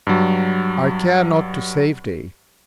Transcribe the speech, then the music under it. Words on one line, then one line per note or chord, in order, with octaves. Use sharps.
I care not to save thee.
G2 F#3